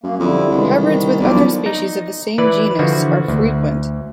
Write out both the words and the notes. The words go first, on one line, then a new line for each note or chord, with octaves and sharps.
Hybrids with other species of the same genus are frequent.
F#2 A#3
F2 D3 G3 E4
C2 C#3 E3 G#3
D#3
B1 F3 D5
D#4
E3 B4 D5
D3 E3 F3 F#4
D2